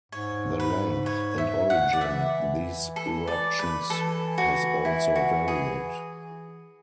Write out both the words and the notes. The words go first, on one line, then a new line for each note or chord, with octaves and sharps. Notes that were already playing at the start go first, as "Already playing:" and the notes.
The length and origin these eruptions has also varied.
G#2 C#5
B4
C#5
E5
F#5
D5
E3 E5
A4
D5
B4
E3 A4
F#4
E4
F#4
G#4